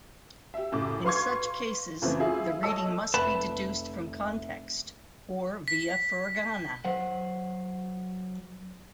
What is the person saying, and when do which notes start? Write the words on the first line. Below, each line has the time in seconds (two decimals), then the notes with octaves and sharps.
In such cases the reading must be deduced from context or via furigana.
0.54 G4 E5
0.72 F#2 A2 C#3 D6
1.05 B4 F5 C6 C#6 G#6
2.02 F#2 C#3 E3 F3 A3 C4
2.20 E4 F4 G#4 E5
2.63 A4 C#5 D#5 A5 E6
3.14 F1 B4 E5 A5 B5
5.68 B6
6.85 F#3 C5 F#5